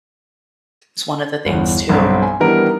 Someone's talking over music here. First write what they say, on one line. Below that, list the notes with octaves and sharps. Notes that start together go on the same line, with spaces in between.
is one of the things too.
G1 E2
B1 G2 F#3 C4
G#5
D#3 E3 G3 B3 D4 A#4